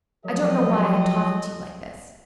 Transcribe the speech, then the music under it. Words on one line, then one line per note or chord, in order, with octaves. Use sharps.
"I don't know why I am talking to you like this."
F3 F#3 G4 A4 C#5 D#5